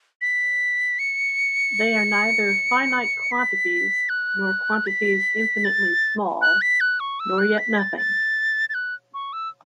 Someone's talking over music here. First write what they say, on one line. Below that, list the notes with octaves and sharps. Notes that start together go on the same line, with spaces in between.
They are neither finite Quantities nor Quantities infinitely small, nor yet nothing.
B6
C#7
B6
F#6
B6
A6
F#6
B6
F#6
C#6
E6
F#6
B6
A6
A6
A6
F#6
C#6
E6